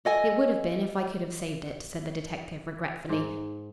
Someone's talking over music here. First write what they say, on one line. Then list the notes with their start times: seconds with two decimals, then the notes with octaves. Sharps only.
"It would have been if I could have saved it," said the detective regretfully.
0.05 A4 D#5 G#5
3.09 G#2